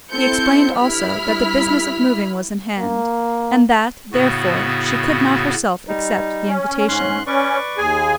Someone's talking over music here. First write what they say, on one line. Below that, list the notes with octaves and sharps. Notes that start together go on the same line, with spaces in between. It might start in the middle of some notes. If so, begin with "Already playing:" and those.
She explained also, that the business of moving was in hand, and that, therefore, she could not herself accept the invitation.
C4 E4 A4 C5 G6 C#7
G2 E4 B5 F6 B6
A#3
A2 C#3 B3 F#4
G3 D#4
C#4
G#2 C6 F#6
C#4 B4 D5 C#6
D#2 G#4 G#5